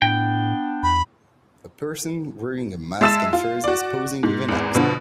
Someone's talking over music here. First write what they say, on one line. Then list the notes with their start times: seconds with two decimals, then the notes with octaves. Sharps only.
A person wearing a mask and furs is posing with an axe.
0.02 A2 B3 D4 G5
0.83 E2 B5
3.01 G#3 E5 A5 E6 A6 E7
3.33 F4
3.64 F#4 D5
4.23 G#2
4.48 G#1 E2
4.75 B2 D3 F3